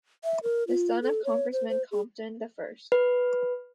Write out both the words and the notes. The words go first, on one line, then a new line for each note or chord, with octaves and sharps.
The son of Congressman Compton the First.
E5
A#4
F4
A4
C#5
C5
C5
G#4
B4